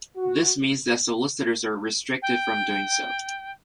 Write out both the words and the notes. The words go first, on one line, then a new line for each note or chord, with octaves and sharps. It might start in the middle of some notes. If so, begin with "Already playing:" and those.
This means that solicitors are restricted from doing so.
F#4
G5